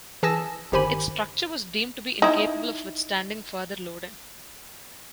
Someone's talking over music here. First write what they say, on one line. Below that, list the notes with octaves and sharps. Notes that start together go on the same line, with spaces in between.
Its structure was deemed to be incapable of withstanding further loading.
E3 G#4 G#5 A5 E6 A#6
G1 D#3 G4 C5 G#5 B5
D#4 E4